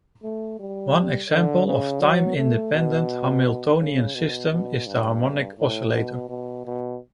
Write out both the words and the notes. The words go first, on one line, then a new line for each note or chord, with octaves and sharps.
One example of time independent Hamiltonian system is the harmonic oscillator.
A3
G3
D3
C#3
F#3
A3
B2
C#3
B2
B2
G2
A2
B2
B2
B2